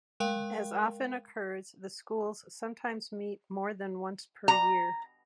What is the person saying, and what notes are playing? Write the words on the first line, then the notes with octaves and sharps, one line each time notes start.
As often occurs, the schools sometimes meet more than once per year.
G#3 A#4 F5 G5
A#5